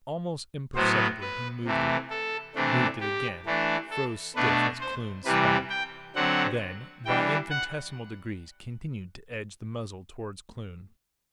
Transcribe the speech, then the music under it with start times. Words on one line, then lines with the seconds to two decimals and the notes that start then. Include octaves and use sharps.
Almost imperceptibly he moved it, moved it again, froze stiff as Kloon spat, then, by infinitesimal degrees, continued to edge the muzzle toward Kloon.
0.75 A2 F#3 B3 C5
1.20 B4
1.65 C3 E3 A3
2.10 A4
2.55 C3 E3 A3 D4
3.01 G4
3.46 E3 A3 D4
3.90 A4
4.35 B2 A3 D4 B4
4.81 C5
5.25 C3 E3 G3 B4
5.70 G5
6.15 D3 F#3 C4 F#5
7.05 E3 G3 D4 G5
7.50 F#5